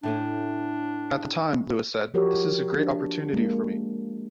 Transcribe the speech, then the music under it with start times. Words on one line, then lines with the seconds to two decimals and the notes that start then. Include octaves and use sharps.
At the time, Lewis said: This is a great opportunity for me.
0.03 A2 A3 C#4 D4
2.14 F3 F#4 G4 A#4 C#5
2.75 D4
3.33 G#3 A#3